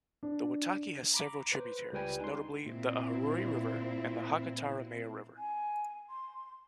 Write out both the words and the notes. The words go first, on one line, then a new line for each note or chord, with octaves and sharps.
The Waitaki has several tributaries, notably the Ahuriri River and the Hakataramea River.
D4
A#5 B5 D6
B4 C5
C#2 G3 B4 G5 G#5
D#4 C6
A#2 C4 E4
G#5
C6